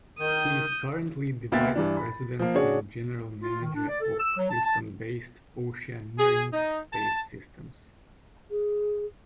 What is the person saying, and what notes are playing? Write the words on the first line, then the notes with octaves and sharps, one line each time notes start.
He is currently the Vice President and General Manager of Houston-based Oceaneering Space Systems.
D#3 D#6 G6
D2 A#3 B3 E5 G5 A6
G2 E3 D4
B5
F3 A#3
C#3 D4 F#4 G#4 C#5
F4
D#3
D4
D5
A4
E6
F#3
A5
A5
G#4
D#4
A5
G#4